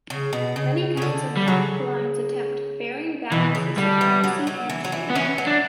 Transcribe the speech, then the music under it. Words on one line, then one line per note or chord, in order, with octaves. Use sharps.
Many kinds of blinds attempt varying balances of privacy and shade.
C#3
B2
C#3
C#3
D3
G3
C#3 F#3
B2 E3
C#3
D3 G3
E3
F#3
F#3
E3
F#3
E3
B3
E3 C#4
F#3
D4